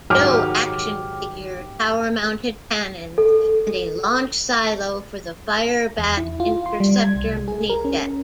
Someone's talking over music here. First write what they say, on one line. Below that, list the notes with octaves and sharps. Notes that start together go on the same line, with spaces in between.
Joe action figure, tower-mounted cannons, and a launch silo for the Firebat interceptor mini-jet.
G#2 D#3 F#3 G4 F6
A4
E2
E4
F4
C6
G3
G#6
C2
G#4
A#4
C#4